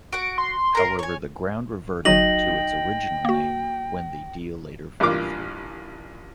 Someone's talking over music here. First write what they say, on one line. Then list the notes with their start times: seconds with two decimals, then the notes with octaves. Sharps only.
However, the ground reverted to its original name when the deal later fell through.
0.13 F#4 F#5 D7
0.38 C6
0.75 A#4 A#5
0.99 C#5 G#5
2.05 G1 F#3 D#4 F#4 G5 A#6 F#7
3.25 A#3 F#4
5.00 A1 G2 A#3 F4 D6